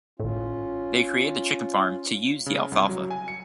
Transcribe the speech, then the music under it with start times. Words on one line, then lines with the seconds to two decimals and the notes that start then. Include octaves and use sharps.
They created a chicken farm to use the alfalfa.
0.20 G#1 A2 C#4 F4
2.46 C#3
2.72 C2
2.89 F#3
3.10 G#5
3.28 C#7